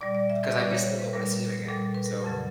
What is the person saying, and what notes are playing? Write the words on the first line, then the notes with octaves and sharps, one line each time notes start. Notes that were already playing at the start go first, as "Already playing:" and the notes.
because I miss them; I wanna see 'em again. So,
A#2 G3 D5
D5
E5
E5
A#2 G3 D5
C#5
C5
B4
A#2 G3 A#4
A#4
A#4
A#2 G3 A4
B4
A#4
F2 C#3 F#3